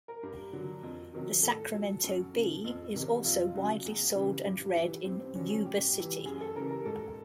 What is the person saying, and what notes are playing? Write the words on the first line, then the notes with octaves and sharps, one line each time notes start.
"The Sacramento Bee" is also widely sold and read in Yuba City.
A#4
G2
D3 F#3
F2
C3 D#3 F#3
A2 A4
F#3
F#2
C#3 F3
F2
C3 D#3 G3
F2 F4
C#3 F#3
E2
C#3 E3 G3
G2
E3 G3
G2 C4
C4
D3 F#3 C#4
C#4
A2 G4
E3 G3
F#2 G#4
A4
C#3 E3 G3 A#4
A#4
G#2 A4